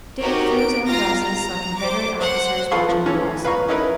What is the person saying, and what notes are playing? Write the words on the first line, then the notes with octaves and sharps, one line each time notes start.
Dick, through his own glasses saw Confederate officers watching them also.
D#4 F#4 G4 A#4 C#5
D7
F4 F5 A#5 A#6
A#5
C5 D6
C5 F#5
F4 A4 B4 F5 C6 C#6
F3
E3 C#4 A4
B4 F5 A#5 C#6
C#4 D#4 E4 A#4 B4